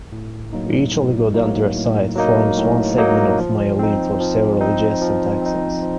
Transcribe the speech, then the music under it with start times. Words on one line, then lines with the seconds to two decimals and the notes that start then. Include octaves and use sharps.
Each oligodendrocyte forms one segment of myelin for several adjacent axons.
0.12 A2
0.53 F#3 A#3 D#4
0.94 A2
1.34 F#3 A#3 D#4
1.76 A2
2.16 F#3 A#3 D#4
2.57 A2
2.97 F#3 A#3 D#4
3.38 F3
3.79 C4 D#4
4.20 F3
4.60 C4 D#4
5.01 F3
5.42 C4 D#4
5.83 F3